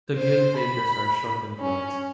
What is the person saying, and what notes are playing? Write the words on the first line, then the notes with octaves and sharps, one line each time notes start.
The gill rakers are short and blunt.
C5
B5
C#4